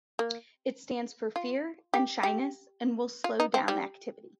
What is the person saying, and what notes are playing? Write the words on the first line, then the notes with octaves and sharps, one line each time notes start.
It stands for fear and shyness and will slow down activity.
A#3
F4
G4
G4
F4
D#4
C4
G3